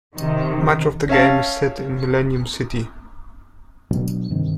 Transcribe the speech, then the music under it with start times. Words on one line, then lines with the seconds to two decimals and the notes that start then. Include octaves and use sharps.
Much of the game is set in Millennium City.
0.16 C3 D#3
1.09 C#4 E5 F5 A5
3.91 B2 F#3 D4
4.30 G2 C3 D#3